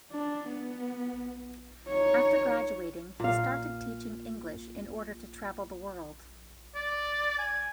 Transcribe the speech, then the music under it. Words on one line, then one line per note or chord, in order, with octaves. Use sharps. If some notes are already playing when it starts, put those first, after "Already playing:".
After graduating he started teaching English in order to travel the world.
D4
B3
D#4 C#5
A#2 F5
D5
G#5